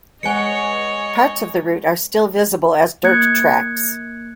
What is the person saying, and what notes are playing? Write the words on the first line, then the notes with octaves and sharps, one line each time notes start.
Parts of the route are still visible as dirt tracks.
G#3 B4 C#5 D#5 F#5 G#5 C#7
A#3 F#6 G#6 C#7